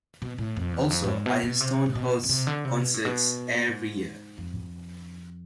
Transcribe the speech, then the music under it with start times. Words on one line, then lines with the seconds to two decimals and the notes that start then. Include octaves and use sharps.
Also, Ironstone hosts concerts every year.
0.22 B2
0.38 A2
0.57 F2
0.74 E2
0.90 F2
1.04 A2
1.08 G#2
1.26 B2
1.43 B2
1.61 C3
1.86 A2
1.95 B2
2.24 B2
2.29 C3
2.47 D3
2.65 C3
2.81 B2
2.94 A2
3.05 B2
3.68 G#2
4.38 F2